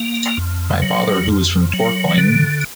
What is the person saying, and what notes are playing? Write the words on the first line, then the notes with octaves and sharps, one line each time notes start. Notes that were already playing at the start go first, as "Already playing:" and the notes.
My father who was from Tourcoing...
Already playing: A#3
F2
F#3
F2
F#3
D3